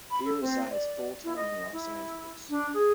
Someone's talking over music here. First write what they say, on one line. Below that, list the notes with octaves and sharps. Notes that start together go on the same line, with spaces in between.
He resides full-time in Los Angeles.
B5
A4
C4
D5
E4
D#5
E4
D4
G#4